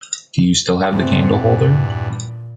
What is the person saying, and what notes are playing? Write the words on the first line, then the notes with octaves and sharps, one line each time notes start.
Do you still have the candle holder?
E2 G2 A3 C4
A#2